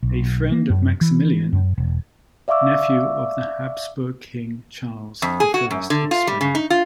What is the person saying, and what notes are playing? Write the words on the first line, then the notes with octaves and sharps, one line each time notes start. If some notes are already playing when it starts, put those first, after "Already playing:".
A friend of Maximilian, nephew of the Habsburg King Charles the First of Spain.
B1
A#3
F#2
E3
F#2
E1
D5 E5 F5 C#6 D6 E6
F2
G#4
F#4
F#2
D3
F4
G3
C#3
D#4
F4